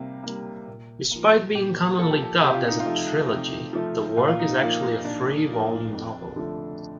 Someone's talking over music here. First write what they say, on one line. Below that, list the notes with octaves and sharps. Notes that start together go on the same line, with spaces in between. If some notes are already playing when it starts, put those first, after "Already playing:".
Despite being commonly dubbed as a trilogy, the work is actually a three-volume novel.
Already playing: C3 G3 A#3
G3 A#3
A#2
F3 A#3
A#2 G4
F3 A#3 A4
G4
A4
C3 G4
F4
D#4
F4
F3 A3
C3
F3 A3
A#2 F4
F4
D#4
F3 A#3 F4
D#4
A#2 D4
F3 A#3
F2
D3 F3 A3